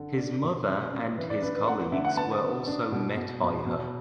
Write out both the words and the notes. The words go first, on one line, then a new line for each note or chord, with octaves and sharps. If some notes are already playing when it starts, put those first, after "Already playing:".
His mother and his colleagues were also met by her.
Already playing: D3 A4
D4
B2
D4
D4
E3 B4
D5
D4 B4
B4
A3 F#5
D3 E5
F#5
B3 A5
B3
D4
B2
B2
B2
B2